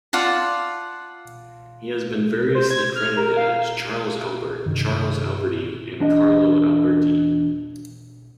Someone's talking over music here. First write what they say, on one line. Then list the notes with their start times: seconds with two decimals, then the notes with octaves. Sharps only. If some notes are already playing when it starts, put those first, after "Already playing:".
He has been variously credited as "Charles Albert", "Charles Alberty" and "Carlo Alberti".
0.13 F4 D5 F#5 A5
2.55 C5
2.70 G#6
2.96 F6
3.17 A#4
3.37 F5
4.66 G2 C3 D#3
6.00 E2 D4 D#5